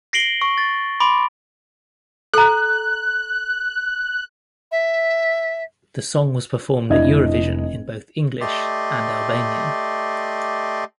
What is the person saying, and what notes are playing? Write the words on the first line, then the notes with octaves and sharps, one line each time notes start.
The song was performed at Eurovision in both English and Albanian.
A#6 C7 D7 F#7 G7
C#6
A6
B5 C6 D6 D7
A4 A#5 F#6
E5
F1 D4 E4 D#5 G#6
A3 G4 D5 D#5 C6